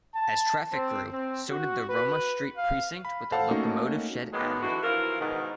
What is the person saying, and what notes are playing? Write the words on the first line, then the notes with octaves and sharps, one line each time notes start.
As traffic grew, so did the Roma Street precinct with a locomotive shed added.
A5
C4
C4
F#4
B4
F5
B5
A4 C5 F5 F#5 A5
A3 A#3 C#4 D#4 F#4
B2 D#3 F#3 G#3 A#3 B3
D3 E3 F#4
E3 F3 E4 F4 A#4
G#2 B2 D#3